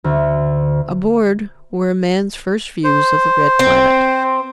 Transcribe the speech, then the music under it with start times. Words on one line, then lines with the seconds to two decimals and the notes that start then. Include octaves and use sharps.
Aboard were man's first views of the red planet.
0.04 D2
2.84 C5
3.59 C4